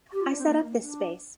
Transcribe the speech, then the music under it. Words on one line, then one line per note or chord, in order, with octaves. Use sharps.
I set up this space.
G4
F4
D4
C4
A#3
A#3
D4